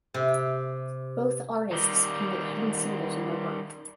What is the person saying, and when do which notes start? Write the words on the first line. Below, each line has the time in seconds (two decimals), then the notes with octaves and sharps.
Both artists painted hidden symbols in their work.
0.14 C3
1.71 D#3 G3